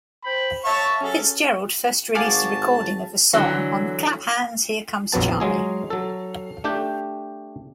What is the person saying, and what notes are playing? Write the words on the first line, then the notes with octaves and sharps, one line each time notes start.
Fitzgerald first released a recording of the song on Clap Hands, Here Comes Charlie!
C5 G5 B5
C#5 E5 F5 A5 C#6
F#3 C#4 G#4 A4
G#1 F#4 G#4 F5 G#5 A5 D6
D3 E3 F#3
A#1 F2 F#3 B3 A5
F#3 G#3 G#4
F#3 A4
A3 D4 G4 G5